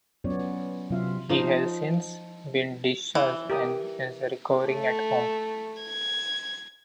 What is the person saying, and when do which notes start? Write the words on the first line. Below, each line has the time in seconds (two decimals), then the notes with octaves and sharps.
He has since been discharged and is recovering at home.
0.24 F#3 B3 C#4 F4 C#5 D5
0.90 C3 F#3 C4 F4 E5 F5
1.29 F3 D#4
3.15 E3
3.50 G4 A#4 D#6
4.65 A3
5.82 G#6